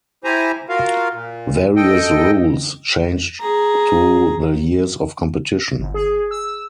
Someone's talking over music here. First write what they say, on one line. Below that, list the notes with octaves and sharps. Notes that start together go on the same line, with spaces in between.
Various rules changed through the years of competition.
E4 G4 C5 G#5 A#5
F4 F#4 A#4 F5
A#2
A4 D#5 G5
G#4 A#5
G1
G#4
E6